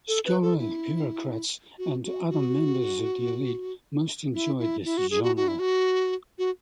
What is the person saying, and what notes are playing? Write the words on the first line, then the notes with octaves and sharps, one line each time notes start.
Scholar-bureaucrats and other members of the elite most enjoyed this genre.
A4
B4
A4
E4
F#4
F#4
F#4
E4
E4
E4
F#4
G#4
F#4
F#4
E4
F#4
F#4